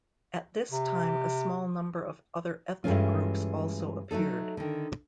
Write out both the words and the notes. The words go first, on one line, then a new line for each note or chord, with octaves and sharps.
At this time a small number of other ethnic groups also appeared.
C3
G2 E3 G#3 A3 C#4 F4
F#3 A3 D#4 A4
D3 D#3